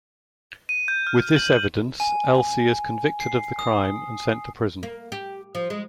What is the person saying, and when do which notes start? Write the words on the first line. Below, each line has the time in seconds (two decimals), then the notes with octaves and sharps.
With this evidence, Elsie is convicted of the crime and sent to prison.
0.69 D#7
0.88 G6
1.07 F6
1.36 F#7
2.00 G#5
3.20 C7
3.59 D#6
4.83 A#3
5.12 G4
5.55 F3
5.70 G#3